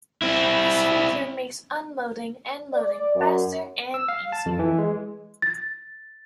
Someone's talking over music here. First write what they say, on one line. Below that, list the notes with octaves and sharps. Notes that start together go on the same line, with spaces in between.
This feature makes unloading and loading faster and easier.
C4 E4
D5
F#2
E6
F5
A5
F2
E3
G#3
A6